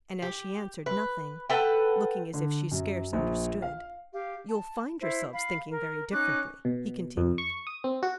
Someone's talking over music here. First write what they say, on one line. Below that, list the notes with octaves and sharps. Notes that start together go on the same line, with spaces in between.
And as she answered nothing, looking as if she scarce understood, "You'll find yourselves thinking very differently," he continued.
G4
B4
A4 B4 F#5 G5
D3
F#2
A#1
F5
G4 F5
A5
E4 C5
F5 B5
A#4
C#4 D#4 D6 F#6
B2
F2
C#6
D#6
C4
F#4